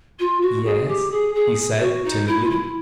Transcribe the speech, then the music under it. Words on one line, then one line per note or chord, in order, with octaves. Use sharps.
"Yes?" he said timidly.
F4
F#4
G#4
G4
G#4
G#4
F#4
D#4
E4
F4
E4